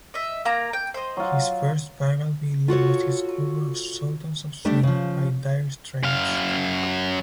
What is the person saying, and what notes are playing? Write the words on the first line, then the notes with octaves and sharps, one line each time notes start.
His first viral video was his cover of "Sultans of Swing" by Dire Straits.
D#5 E5
A#3 F4 A#5
G5
C5 D#5
F#3 F4
F4 F#4 A4 C#5
G3 A3 D4 G4
C#3 F3
F#2 F5